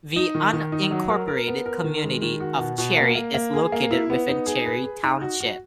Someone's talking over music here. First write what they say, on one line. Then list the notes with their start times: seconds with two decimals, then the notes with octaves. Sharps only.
The unincorporated community of Cherry is located within Cherry Township.
0.16 D#4
0.35 D#3
0.53 D#3
0.72 D#4
0.91 F#3
1.10 A#4
1.28 A#4
1.47 B3
1.66 A#4
1.84 D#3
2.03 G#3
2.22 D#3
2.40 F#4
2.60 B2
2.78 B2
2.97 A#3
3.15 A#3
3.34 A#3
3.54 G#4
3.72 A#3
3.91 E4
4.10 B3
4.29 D#4
4.46 G#4
4.65 B4
4.84 G#4
5.03 D#4
5.21 F#4
5.40 F#4